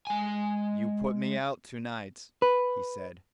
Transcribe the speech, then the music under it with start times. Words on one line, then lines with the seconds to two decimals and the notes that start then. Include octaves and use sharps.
"You put me out to-night," he said.
0.07 G#3 G#5
2.42 B4